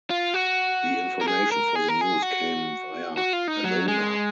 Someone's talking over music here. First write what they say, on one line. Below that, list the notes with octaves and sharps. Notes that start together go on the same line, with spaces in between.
The information for the news came via "Bellona".
F4
F#4
A#4
G#4
A#4
G#4
A#4
G#4
F#4
F#4
F4
D#4
F#3
G#3